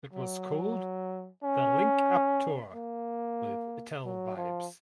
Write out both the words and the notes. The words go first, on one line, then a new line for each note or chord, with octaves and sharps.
It was called "The Link Up Tour" with Ital Vibes.
F#3
C#4
A#3
F#3
F3